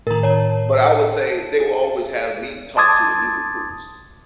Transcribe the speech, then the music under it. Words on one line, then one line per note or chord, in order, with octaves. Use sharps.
but I would say they would always have me talk to the new recruits.
A2 D#3 A#4 A#5
C#5 A5
G#4
A5 C6 D6 D#6 G#6 A6